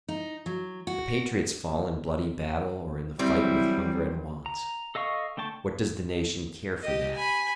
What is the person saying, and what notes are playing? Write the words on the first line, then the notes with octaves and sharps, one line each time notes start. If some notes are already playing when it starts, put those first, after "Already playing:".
The patriots fall in bloody battle or in the fight with hunger and want; what does the nation care for that?
D#4
F#3
F#4
E3 F#3 G3 C4 E4
A#5
A4 D#5 F5 C#6
D3 A3 G5 A5 C#6
G4 D#5
G#5 B5